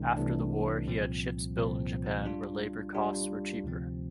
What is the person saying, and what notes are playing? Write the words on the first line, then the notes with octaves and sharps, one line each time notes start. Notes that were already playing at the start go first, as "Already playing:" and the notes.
After the war, he had ships built in Japan, where labor costs were cheaper.
Already playing: C2 C3 E3 A3 D4
C2 C3 E3 A3 D4
C2 A#2 F3 C4
C2 A#2 F3 C4
G3 D4 F4
G3 D4 F4
D2 C3 F3 C4